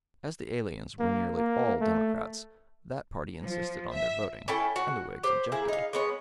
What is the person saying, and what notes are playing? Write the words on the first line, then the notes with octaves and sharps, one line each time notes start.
As the aliens were nearly all Democrats, that party insisted on their voting, and the Whigs objected.
A#3
A#3
A3
F3
E5
C#4 E4 A4 G5
F#4 F#5
G4 C5
A#3 E4 G#4
D#4 F5
G#3 B3 C#5